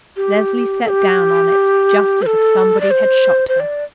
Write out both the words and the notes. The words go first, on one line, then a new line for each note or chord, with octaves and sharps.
Leslie sat down on it just as if somebody had shot her.
G4
A4
G4
C5
A4
D5
C5
C5
D5